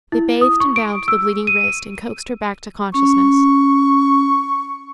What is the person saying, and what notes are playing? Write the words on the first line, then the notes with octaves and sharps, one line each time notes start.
They bathed and bound the bleeding wrist and coaxed her back to consciousness.
E4
D#6
C#6
D7
E6
D#7
C#4 C#6